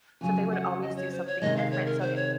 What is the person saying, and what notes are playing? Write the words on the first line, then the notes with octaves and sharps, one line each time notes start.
so they would always do something different, so h
F2 C#3 F#3 G#5
F#5
D#5
C#5
C5
C#5
C3 D#3 G#3 D#5
F5
C#5
A#4
C5
C#5